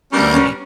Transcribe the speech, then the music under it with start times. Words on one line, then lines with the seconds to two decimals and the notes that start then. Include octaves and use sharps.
I j
0.12 G3 B3 C#4 D4 F#4 A#4
0.33 C#4